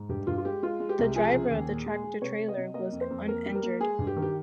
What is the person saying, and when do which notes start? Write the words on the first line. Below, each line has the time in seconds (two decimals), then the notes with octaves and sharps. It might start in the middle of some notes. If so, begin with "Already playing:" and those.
The driver of the tractor trailer was uninjured.
Already playing: G#2
0.09 G2 G4
0.27 G2 F4
0.38 F4
0.45 G#3 G4
0.62 G#3 F4
0.80 G#3
0.89 G4
0.99 C2
1.16 F3 G#4
1.33 C#3
1.51 D#2
1.69 A#2
1.86 G#3
2.04 G#3
2.22 C3 C#5
2.39 C3
2.48 D#5
2.57 C3
2.74 A#3 D#5
2.92 F2
3.01 C5
3.10 F2
3.28 A#3 A#4
3.46 G3
3.55 A#4
3.63 A#3
3.80 G#3 G#4
3.99 G2
4.07 G4
4.16 D#3
4.22 G4